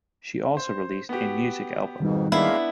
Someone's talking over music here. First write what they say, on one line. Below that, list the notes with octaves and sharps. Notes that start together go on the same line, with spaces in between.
She also released a music album.
C5
B3 F#4 G4
F2 G#2 B2 D#3 G3 D#4
G#3 A#3 B3 D4 E4 F5